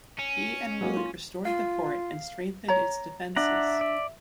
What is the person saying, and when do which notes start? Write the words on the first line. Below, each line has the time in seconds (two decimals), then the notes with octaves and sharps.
He and Willett restored the fort and strengthened its defenses.
0.19 C#4
0.81 F#3 G#3 A#3
0.97 F4
1.45 F4 F5
2.68 C#5 A#5
3.36 D4 D5 E5 F#5 A#5
3.81 D5